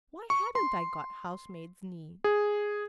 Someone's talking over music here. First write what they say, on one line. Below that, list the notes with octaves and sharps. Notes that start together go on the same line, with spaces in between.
Why hadn't I got housemaid's knee?
C#6
C6
G#4